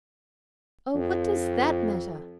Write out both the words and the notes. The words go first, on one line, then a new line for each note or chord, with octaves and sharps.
'Oh, what DOES that matter!
F2